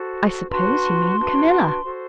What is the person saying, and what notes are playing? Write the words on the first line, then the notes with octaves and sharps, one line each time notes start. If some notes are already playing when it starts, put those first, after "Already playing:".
"I suppose you mean Camilla?"
Already playing: F#4 A4 C5
D4 F#4 B4 C6
D4 F#4 B4
F#4 A4 C5